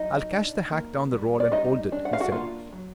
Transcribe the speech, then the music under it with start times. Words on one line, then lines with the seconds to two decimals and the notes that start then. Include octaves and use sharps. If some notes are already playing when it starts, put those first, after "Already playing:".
"I'll catch the hack down the road and hold it," he said.
Already playing: F#3 D#4 D#5
0.31 D4
0.71 A#3
1.11 G3
1.40 D5
1.52 G3 D#4 D#5
1.92 D4
2.05 F#5
2.13 F5
2.20 F#4 F#5
2.32 A#3 F4 F5
2.72 F#3